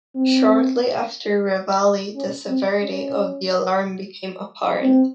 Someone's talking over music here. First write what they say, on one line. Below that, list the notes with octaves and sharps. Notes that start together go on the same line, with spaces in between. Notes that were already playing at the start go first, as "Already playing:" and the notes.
Shortly after reveille, the severity of the alarm became apparent.
C4
C#4
C4
C#4
C4